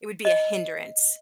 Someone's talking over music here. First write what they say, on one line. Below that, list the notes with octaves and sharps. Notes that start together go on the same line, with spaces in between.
it would be a hindrance
D#5